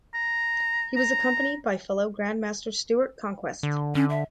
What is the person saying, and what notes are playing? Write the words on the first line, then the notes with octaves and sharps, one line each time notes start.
He was accompanied by fellow Grandmaster Stuart Conquest.
A#5
A#5
D3
D3 C#4
E5